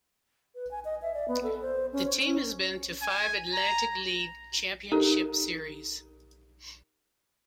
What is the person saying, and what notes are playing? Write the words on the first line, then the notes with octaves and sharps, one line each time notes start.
The team has been to five Atlantic League Championship Series.
B4
G#5
D#5
E5
D5
B3
A4
C5
C#4
C#5
C#4
G#5
A#5
D#4 G4 A4 A#4